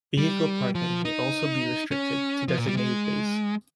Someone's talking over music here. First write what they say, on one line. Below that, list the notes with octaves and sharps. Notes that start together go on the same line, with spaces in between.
Vehicle parking may also be restricted to designated bays.
G3
F3
D#4
C#4
F3
A#2
G3
G#3